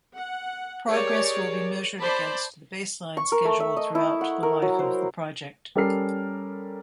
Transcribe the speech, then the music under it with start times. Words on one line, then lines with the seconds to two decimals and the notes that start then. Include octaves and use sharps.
Progress will be measured against the baseline schedule throughout the life of the project.
0.14 F#5
0.88 G4 G#4 A#4 C#5 D5
2.01 C5 D5 A5 B5
3.17 C#6
3.32 A#4
3.45 A3
3.60 E5
3.77 D#5
3.95 E4
4.21 F#5
4.43 A#4
4.62 F#3
4.79 C5
5.75 G3 C#4 A4 A#4 F6 C7